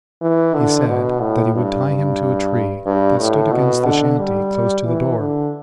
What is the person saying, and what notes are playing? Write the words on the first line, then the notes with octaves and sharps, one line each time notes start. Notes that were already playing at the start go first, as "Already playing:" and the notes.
He said that he would tie him to a tree that stood against the shanty close to the door.
E3
D3
B2
A2
G2
G2
G2
A2
B2
D3
G3
E3
D3